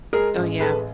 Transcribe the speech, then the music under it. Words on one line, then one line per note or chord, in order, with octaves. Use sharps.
Oh yeah.
G#3 G#4 A#4
A1
G#3 A4 B4